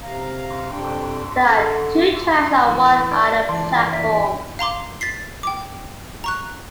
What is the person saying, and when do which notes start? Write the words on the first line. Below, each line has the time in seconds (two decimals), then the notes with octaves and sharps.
There are two tracks and one island platform.
0.03 C3 F5 A#5
0.70 F2 C3 D4 G5
1.42 D3
2.65 A2 E3
3.11 D4
3.49 C#2 A#2 E3 D5 A5 C6
3.93 A#1 E5 B6
4.59 F5 A#5 C6 D6
5.01 A6 B6 C7
5.43 G5 D6
6.24 A#5 C#6 F#6